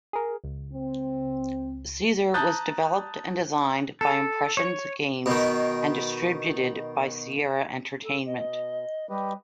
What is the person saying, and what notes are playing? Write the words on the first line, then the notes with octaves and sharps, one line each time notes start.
"Caesar" was developed and designed by Impressions Games and distributed by Sierra Entertainment.
G#4 A#4
C#2
C4
A5 A#5 D#6 F#6 G6 A6
A4
C#5
B2 D#3
A4
B2 D#5
G3 G4 B4 D#5